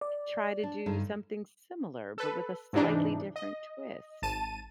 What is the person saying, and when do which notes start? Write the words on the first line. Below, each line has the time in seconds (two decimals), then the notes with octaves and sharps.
try to do something similar but with a slightly different twist.
0.01 D5
0.63 D4
0.86 G2 D3 D#4
2.18 A4 B4
2.73 G#2 C3 E3 D4 D#4
3.36 D#5
4.22 G#1 A5 D#7